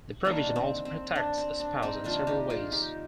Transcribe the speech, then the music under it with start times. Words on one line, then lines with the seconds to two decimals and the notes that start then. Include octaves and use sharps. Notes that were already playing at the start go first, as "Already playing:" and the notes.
The provision also protects a spouse in several ways.
0.25 D#3 G3 A#3 D4
0.56 C4
0.85 C4
1.16 D4
1.38 C4
1.60 D4
1.82 C4 D#4
2.04 C3 D#3 G3 A#3 D4 F4
2.27 D#4 G4
2.50 F4 G#4
2.72 D#4 G4